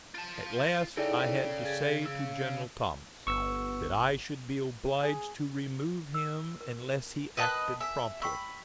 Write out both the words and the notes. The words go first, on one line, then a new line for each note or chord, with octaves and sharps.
At last I had to say to General Thomas that I should be obliged to remove him unless he acted promptly.
F4 A5
C#3 D#4 E4 G#4 A4 D5 G5
G#4 G#6 A6
E6
G1 B3 C#6 E6
G#4
E6
A#4
A#4 B4 D#5 G5 A5 F#6
E5 G#5
G5 B5 C#6 E6